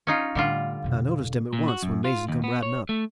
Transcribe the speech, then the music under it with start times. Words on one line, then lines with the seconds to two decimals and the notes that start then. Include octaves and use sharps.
I noticed him at once, when Mason come ridin' up.
0.07 C#4 D#4 F4
0.35 A2 D3 G3 A3 F4
0.84 F2 B2
1.53 A#2
1.68 F#4
1.83 F#2
2.04 F4
2.29 D#2
2.44 B3
2.63 C#5
2.89 A3